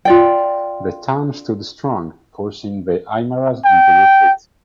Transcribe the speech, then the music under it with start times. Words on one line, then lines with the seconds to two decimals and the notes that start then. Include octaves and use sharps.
The town stood strong, forcing the Aymaras into retreat.
0.05 F4 D5 G5
3.65 G5